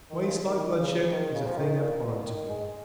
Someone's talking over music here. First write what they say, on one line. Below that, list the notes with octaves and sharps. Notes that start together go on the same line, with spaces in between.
Waste, like bloodshed, is a thing abhorrent to me.
D#3
C#3
D#3
C#3
D#3
C#3
F3
D#3
A#2
B2
D#3
G#3